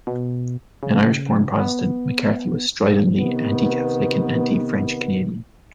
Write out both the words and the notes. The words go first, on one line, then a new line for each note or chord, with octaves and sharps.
An Irish-born Protestant, McCarthy was stridently anti-Catholic and anti-French Canadian.
B2
C#3
B3
C3 D#3 B3